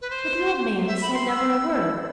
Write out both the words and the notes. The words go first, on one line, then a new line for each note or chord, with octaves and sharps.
But the old man said never a word.
B4
C5
E5
B5
C6
E6